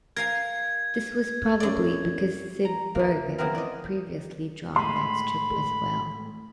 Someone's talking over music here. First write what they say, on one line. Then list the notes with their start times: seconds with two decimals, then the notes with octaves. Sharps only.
This was probably because Sid Burgon had previously drawn that strip as well.
0.17 A#4 F5 G#5 G#6
1.60 F#2 D5
2.65 A#5
2.95 E3 A#3
3.38 C#3 E3 B3 C4 A#4
3.55 D5 D#5
4.76 A2 G#3 B5 C6